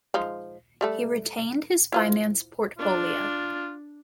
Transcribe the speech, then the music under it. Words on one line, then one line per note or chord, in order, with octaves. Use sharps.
He retained his finance portfolio.
F3 G#3 D#4
G3 A3 A4
E4 F4 C5
D4 F4